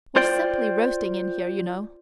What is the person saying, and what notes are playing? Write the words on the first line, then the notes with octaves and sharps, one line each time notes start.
"We're simply roasting in here, you know."
F4 C5 D5 G5